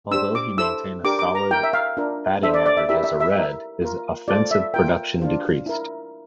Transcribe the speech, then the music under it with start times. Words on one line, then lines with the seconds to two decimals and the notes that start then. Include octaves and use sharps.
Although he maintained a solid batting average as a Red, his offensive production decreased.
0.11 D4 G4 C5 E6
0.35 D6
0.57 E4 A4 C5 E6
1.04 D4 G4 A#4 D6
1.19 D6
1.35 A#5
1.51 E4 A#4 G5
1.63 E5
1.73 F5
1.97 D4 F4 A#4
2.43 D4 A4 C5 E5
2.54 D5
2.66 D5
2.77 E5
2.88 E4 G4 A#4 E5
3.04 E5
3.20 E5
3.36 E4 A#4
3.82 F4 A#4
4.28 F4 A4 C5 D5
4.51 E5
4.74 F4 A#4 G5
5.20 D4 F4 C5
5.66 E4 A#4